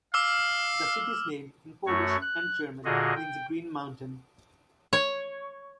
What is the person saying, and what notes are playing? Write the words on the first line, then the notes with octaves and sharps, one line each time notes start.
The city's name, in Polish, and German, means "green mountain".
F5 D6 E6 F6
F#2 A3 F#4 C#5 C#6
F#6
A#2 D3 F4 F#4 G#4 D#5
G5
C#5